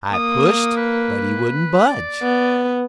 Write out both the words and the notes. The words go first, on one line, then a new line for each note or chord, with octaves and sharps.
I pushed, but he wouldn't budge.
A#3 D#6
B4
D5
B3